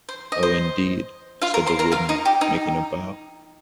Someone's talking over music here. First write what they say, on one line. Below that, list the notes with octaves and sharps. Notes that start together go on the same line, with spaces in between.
"Oh, indeed," said the Woodman, making a bow.
C5
D#5
C5
F4 F5
A#4 A#5
C5 C6
A#4 A#5
F4 F5
D#4 D#5
G4
D#4